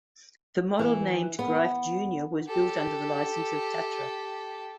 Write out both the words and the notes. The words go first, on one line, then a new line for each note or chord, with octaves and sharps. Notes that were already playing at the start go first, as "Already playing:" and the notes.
The model named "Greif Junior" was built under the licence of Tatra.
E3
B3
G4 A4